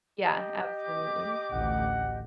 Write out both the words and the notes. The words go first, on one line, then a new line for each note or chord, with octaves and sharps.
Yeah, absolutely.
G4 D#5
D6
A1 D2 F#5